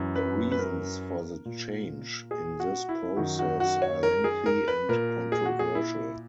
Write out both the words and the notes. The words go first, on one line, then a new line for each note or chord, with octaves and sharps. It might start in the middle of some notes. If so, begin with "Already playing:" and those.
The reasons for the change in this process are lengthy and controversial.
Already playing: F#2 E3
B4
B4
A#4
A#2
G#4
F#4
E4
F#2 D#3 F#4
F#4
F#4
C#5
A#4
G#4
A#4
B4
A#2 A#4
G#4
F#4
G#4
E4